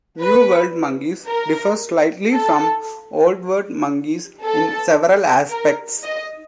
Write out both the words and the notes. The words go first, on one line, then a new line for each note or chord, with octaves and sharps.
New World monkeys differ slightly from Old World monkeys in several aspects.
B4
A#4
A4
A4
A#4
D#5